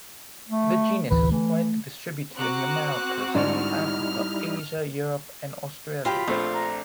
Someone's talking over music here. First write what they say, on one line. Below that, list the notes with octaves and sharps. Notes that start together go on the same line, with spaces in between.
The genus is widely distributed in the Americas, Africa, Asia, Europe, and Australia.
A3
A1 D2 E3 B4
E3 A3
C4 F#4 A#5 D6 F#6
G#2 D3 G3 D#4 E4 D5 F6
F#2 F4 G4 G5 B5
A#1 A3 C4 D4
A#5